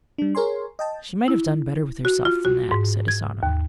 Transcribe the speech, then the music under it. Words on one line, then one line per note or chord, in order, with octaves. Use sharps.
"She might have done better with herself than that," said Asano.
G3 D4
G#4 A#4 C#5 G#5 C6
D#5 G5 A5
E4
F#4
F4
F#4
G#2
G#6
D#2